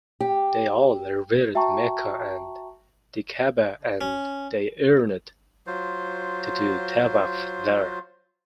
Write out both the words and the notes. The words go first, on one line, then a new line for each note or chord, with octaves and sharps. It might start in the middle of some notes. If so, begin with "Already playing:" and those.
They all revered Mecca and the Ka'bah and they yearned to do tawaf there.
G4
F#4 E5 G5 A5 A#5 C#6
C#4
F#3 F4 C5